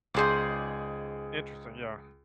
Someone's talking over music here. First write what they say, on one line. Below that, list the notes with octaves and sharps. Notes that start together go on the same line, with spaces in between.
Interesting, yeah.
C#2 D#4 G#4 C5 D5